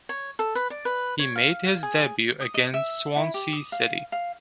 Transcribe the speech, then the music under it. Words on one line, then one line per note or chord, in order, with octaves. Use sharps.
He made his debut against Swansea City.
C#5
A4
B4
D5
B4
C#5
F5
G#4
D#6
D#5
E5
E4
G4
D#6
F5
F5